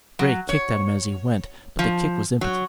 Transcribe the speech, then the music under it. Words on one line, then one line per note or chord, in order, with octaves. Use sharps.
Grey kicked at him as he went, but the kick was impotent.
F#3
C#5
F3
F#3